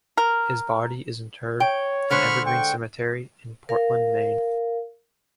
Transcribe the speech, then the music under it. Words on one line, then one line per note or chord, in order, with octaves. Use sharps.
His body is interred in Evergreen Cemetery in Portland, Maine.
A#4
C#5 G5
D3 G#3 C5 B5 C#6 F6
G5 C#6
A#4 F5